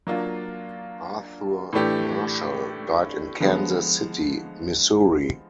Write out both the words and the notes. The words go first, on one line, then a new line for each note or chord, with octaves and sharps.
Arthur Marshall died in Kansas City, Missouri.
F#3 A#3 D4 F4
A2 E3 A3 D4 G4
D3 F3 G#3 B3